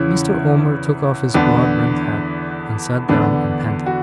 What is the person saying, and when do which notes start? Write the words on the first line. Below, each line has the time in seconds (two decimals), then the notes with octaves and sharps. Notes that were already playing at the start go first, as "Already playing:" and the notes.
Mr. Omer took off his broad-brimmed hat, and sat down and panted.
Already playing: E2 C#3 E3 C#4 E4
1.34 E2 D3 B3 D4
3.09 E2 D3 B3 D4
3.86 F#4